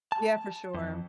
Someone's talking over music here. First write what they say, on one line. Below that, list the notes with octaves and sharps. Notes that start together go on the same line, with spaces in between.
Yeah, for sure.
A5
F2